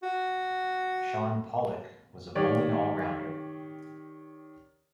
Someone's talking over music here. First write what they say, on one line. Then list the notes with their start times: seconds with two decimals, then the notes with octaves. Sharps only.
Shaun Pollock was a bowling all-rounder.
0.03 F#4
2.35 D#3 G4 C#5 D5